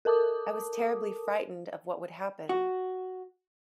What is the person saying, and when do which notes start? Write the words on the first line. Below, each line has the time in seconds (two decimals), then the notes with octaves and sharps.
I was terribly frightened of what would happen.
0.05 A4 A#4 A5 D6 D#6
2.49 F#4